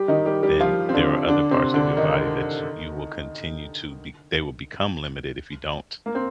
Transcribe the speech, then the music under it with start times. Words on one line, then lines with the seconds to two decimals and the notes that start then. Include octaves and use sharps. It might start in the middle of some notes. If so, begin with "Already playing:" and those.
then there are other parts of your body that ch you will continue to be they will become limited if you don't
Already playing: G3 G4
0.08 D#3 D#4
0.25 G3 G4
0.43 G3 G4
0.60 F3 F4
0.89 C4
0.94 D3 D4
1.28 D3 D4
1.51 C3 C4
1.74 D3 D4
1.97 D#3 D#4
6.06 A#3
6.15 C4